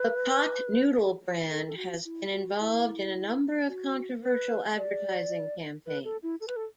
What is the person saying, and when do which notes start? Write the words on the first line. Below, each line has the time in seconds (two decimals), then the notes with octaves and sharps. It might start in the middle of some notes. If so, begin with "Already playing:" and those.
The Pot Noodle brand has been involved in a number of controversial advertising campaigns.
Already playing: B4
1.50 A4
1.67 A4
1.77 F#4
2.05 E4
2.32 F#4
2.60 E4
3.68 F#4
4.23 B4
4.78 D5
5.86 B4
6.04 A4
6.23 E4
6.41 A4
6.48 B4
6.56 A4